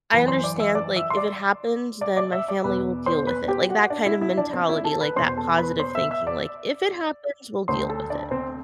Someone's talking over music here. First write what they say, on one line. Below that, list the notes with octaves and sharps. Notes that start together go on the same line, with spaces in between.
I understand, like, if it happens, then my family will deal with it, like, that kind of mentality, like, that positive that thinking, like, if it happens, we'll deal with it.
F#2 E3 B4 B5
C5 C6
D5 D6
E5 E6
D5 D6
E5 E6
C6
D5 D6
D5 D6
D5 D6
E5 E6
D5 D6
E2 B2 B4 B5
C5 C6
B4 B5
G4 G5
F#4 F#5
D4 D5
E4 E5
E4 E5
D4 D5
C4 C5
E4 E5
A4 A5
B4 B5
E2 B2 C5 C6
A4 A5
B4 B5
C5 C6
E5 E6
E5 E6
D5 D6
D2 D3 C5 C6
A4 A5
D4 D5
C4 C5